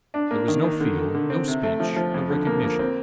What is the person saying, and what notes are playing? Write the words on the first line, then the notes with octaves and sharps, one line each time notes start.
There was no feel, no speech, no recognition.
D4
A#3
D#3
D#3
D3
D3
D3
C4
C3
A3
F3
F3
F2
D3
A#3
A#3
C4